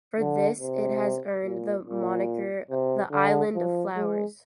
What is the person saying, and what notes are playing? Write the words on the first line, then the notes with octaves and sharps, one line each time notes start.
For this it has earned the moniker the "island of flowers".
D3
C3
A#2
A#2
C3
D3
F3
G#3